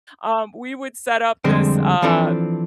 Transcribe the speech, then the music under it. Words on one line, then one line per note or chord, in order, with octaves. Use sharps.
Um, we would set up this, uh,
F2 D3 G3 G#3 C4
E3 F3 C4 D4 A4